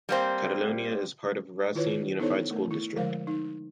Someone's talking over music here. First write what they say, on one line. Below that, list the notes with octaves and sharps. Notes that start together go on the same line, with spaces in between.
Caledonia is part of Racine Unified School District.
G3 A#3 C4
D#3 E4 F4 B4 C#5
B3 D#4 E4 A4 C5 C#5
A3 A#4
E4
D3 F3 G#3 A#4 C5 F5
D#4